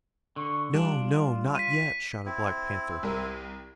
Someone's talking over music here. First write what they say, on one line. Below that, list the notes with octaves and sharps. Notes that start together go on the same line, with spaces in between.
"No, no, not yet!" shouted Black Panther.
D3 C#6
G3 D4 F4
B6 D#7
C4 E4
C2 A#4